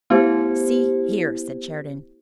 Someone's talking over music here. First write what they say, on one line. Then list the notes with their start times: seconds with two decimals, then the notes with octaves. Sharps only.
"See here!" said Sheridan.
0.10 A3 B3 E4 G4 C5